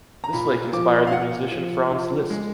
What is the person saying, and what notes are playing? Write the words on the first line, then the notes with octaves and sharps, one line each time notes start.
This lake inspired the musician Franz Liszt.
A#5
A#2 B5
F3 D6
F5
A#2 F#5
F3
F3
G#3